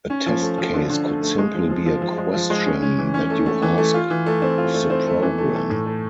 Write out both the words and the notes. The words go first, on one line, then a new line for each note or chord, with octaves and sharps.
A test case could simply be a question that you ask of the program.
C#4
F3
A3
F3
D3
D3
A3
A3
G#3
F3
F3
F3
F3
G#3
F3
G#3
C#4
C#4
E3
C#4
A3
A3
E3
A3
F4
E3
A3
C4
F4
A3
C4
A3
E3
A3
A3
A2
A3